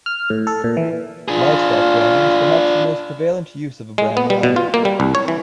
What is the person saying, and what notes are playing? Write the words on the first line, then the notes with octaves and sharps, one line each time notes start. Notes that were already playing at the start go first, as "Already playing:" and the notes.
Livestock branding is perhaps the most prevalent use of a branding iron.
F6
A2
A4
A#2
E3
D4 F4 G#4
G#3
B3
G3
B2
F4
A#3
G3
C2
C#5
E3